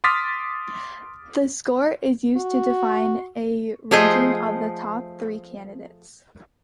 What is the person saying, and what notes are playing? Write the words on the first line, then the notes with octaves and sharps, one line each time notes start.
The score is used to define a ranking of the top three candidates.
C6 D6 D#6 F6 A6 B6
F#4
F3 A3 G#4 C5 D#5